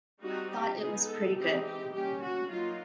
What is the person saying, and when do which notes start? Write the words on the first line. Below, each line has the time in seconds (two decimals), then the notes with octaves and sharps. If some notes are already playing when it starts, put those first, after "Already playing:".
I thought it was pretty good.
0.21 G3 C4 D#4 F#4
0.50 G4
0.79 G#3 B3 D#4 G#4
1.07 A4
1.35 E3 G#3 C4 D#4 G4
1.64 G4
1.92 G3 A#3 C#4 G4
2.21 F#4
2.48 F#3 A#3 D#4 F4